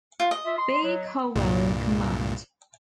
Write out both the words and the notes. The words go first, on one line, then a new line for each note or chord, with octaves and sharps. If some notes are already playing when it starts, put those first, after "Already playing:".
B. Colwell in command.
F4
D#5
F4 E5
C6
F#3
C2 G2 A#2